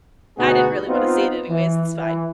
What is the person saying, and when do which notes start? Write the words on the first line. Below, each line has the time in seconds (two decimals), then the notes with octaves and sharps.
I didn't really wanna see it anyways, it's fine."
0.37 D2 B2 B3 D#4 F#4 G#4
0.87 B3 C4 D#4 F4
1.49 E3
1.96 E3